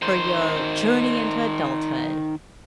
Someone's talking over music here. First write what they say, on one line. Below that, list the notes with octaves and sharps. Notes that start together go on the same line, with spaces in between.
for your journey into adulthood.
D#3 C5